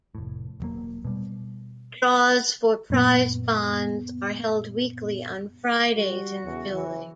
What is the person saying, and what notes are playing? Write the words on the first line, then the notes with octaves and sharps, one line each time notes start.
Draws for Prize Bonds are held weekly, on Fridays, in the building.
F1 A2
E1 F#3 A#3
B2 G3
F#2 A#2 B3
G3 F#4
E2 C#3
E3